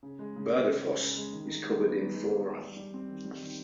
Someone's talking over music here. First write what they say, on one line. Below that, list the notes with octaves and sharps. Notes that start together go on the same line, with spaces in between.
Bardufoss is covered in flora.
C#3
G#3
C#3
G#3
C#3
C#3
C#3
G#3
D#3
D#4
G#3
B3
D#4
G#3
G#3
D#4
G3
G3
C4
D#3
G3
D#3